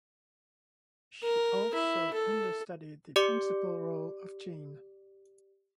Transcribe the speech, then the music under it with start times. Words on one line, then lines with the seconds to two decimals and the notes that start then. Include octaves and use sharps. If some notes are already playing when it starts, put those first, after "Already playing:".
She also understudied the principal role of Jean.
1.23 A#4
1.74 E4
2.14 A4
3.16 G4 D5 D6 C#7